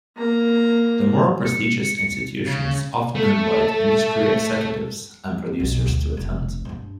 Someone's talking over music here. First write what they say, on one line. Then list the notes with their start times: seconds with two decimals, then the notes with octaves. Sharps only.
The more prestigious institutions often invite industry executives and producers to attend.
0.17 A#3 A#5
1.44 C#7
2.46 C#3
3.15 A3 A4
5.60 B1
5.86 D2
6.17 F1
6.65 G2 D4